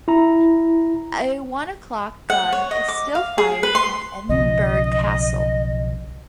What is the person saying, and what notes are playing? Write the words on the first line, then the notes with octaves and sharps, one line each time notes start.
A One O'Clock Gun is still fired at Edinburgh Castle.
E4 A#5
F#5
C#5
D#5
D6
F5
G#4
B4
C6
B1 C#3 F3 D#5